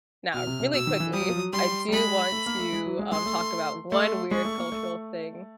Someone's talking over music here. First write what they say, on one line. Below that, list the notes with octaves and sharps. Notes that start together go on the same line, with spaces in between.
Now, really quickly, I do want to, um, talk about one weird cultural thing
B2 F6
C3
C3
B2 E6
D#3
E3
G3 D#6
F#3
F3
F#3
G3 C6
G3
G#3 B5
A3
A#3
A3
G#3
F#3
G#3
G#3 C6
A3
A3
A3 C6
G#3 C#6
A3
A#3
A3